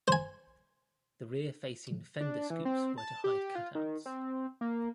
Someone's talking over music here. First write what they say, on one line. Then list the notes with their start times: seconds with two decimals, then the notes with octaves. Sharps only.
The rear-facing fender scoops were to hide cutouts.
0.08 C5 G#5
2.21 D4
2.50 E3
2.65 C4
2.98 A5
3.24 G4
3.55 F4
3.75 D#3
4.06 C4
4.61 A#3